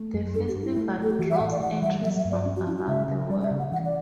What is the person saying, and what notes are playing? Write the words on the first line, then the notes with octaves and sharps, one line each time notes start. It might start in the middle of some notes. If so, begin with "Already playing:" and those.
The festival draws entries from around the world.
Already playing: A3
F#2
G2 A4
G4
G2
E4
A3
A3 A4
G4
E3 F#4
E5
F#5
A2 E5
D5
E3 F#5
G3 E5
F#3 E5
E5
G2
D5
C#4
F#4
C#4 E4
F#4
C#3 E5
C#3
G3 D5
D5
E5
C#3
F#5
E3 F#5
D5